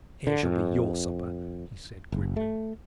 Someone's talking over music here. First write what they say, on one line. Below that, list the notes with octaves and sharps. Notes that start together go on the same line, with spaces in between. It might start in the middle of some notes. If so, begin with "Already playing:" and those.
"Here shall be your supper," he said, grimly.
D3
F2
F#1
A3